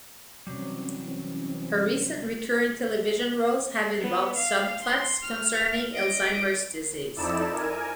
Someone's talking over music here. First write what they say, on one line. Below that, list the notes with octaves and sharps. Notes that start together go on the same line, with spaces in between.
Her recent recurring television roles have involved subplots concerning Alzheimer's disease.
C3 E3 F#3 G3 C4 C#4
B3
F5
C6
F6
D#5 D7
F2 D#4 E4 A4 D5 E7
A#4 G#5